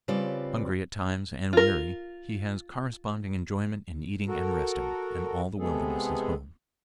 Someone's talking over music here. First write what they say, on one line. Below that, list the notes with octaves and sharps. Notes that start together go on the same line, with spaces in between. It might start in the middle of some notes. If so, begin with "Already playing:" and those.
Hungry at times and weary, he has corresponding enjoyment in eating and resting, and all the wilderness is home.
C#3 G3 C4 F4 B4 D5
F4 A#4
F#4 A4 A#4
C3 G#3 B3 G#4 A4